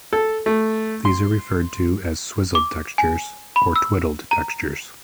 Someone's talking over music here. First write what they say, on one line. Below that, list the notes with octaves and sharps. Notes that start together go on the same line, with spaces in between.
These are referred to as "swizzled textures" or "twidled textures".
A4
A3
C6
D6
G#5
B5
E6
A#5